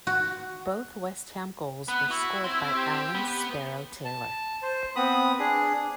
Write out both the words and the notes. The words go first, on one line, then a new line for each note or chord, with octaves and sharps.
Both West Ham goals were scored by Alan 'Sparrow' Taylor.
F#4
B3 F#5
E4 F#4
C4
G4
B3
A5
C5
B3 C4 B5 D#6
D4 G#4